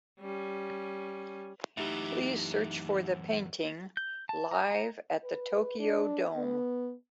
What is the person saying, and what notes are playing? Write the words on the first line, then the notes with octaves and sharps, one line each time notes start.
Please search for the painting Live at the Tokyo Dome.
G3 C#4
F#2 E3 A3 D#4 G4
G6
A5
A#5
A#5
B4
D4
B3